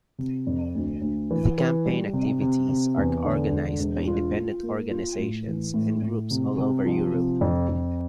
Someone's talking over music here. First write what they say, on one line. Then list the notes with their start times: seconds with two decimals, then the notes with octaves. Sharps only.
The campaign activities are organised by independent organisations and groups all over Europe.
0.18 C3
0.47 F2
0.75 D2
1.02 D2
1.30 E3
1.58 E3
1.86 G3
2.13 C3
2.41 C3
2.69 C3
2.97 E2
3.25 D3
3.52 E1
3.79 E1
4.07 F4
4.36 F4
4.63 A#3
4.91 F4
5.18 A2
5.47 E3
5.74 A2
6.02 A2
6.31 C3
6.58 C3
6.86 F3
7.14 C3
7.41 F2
7.69 F2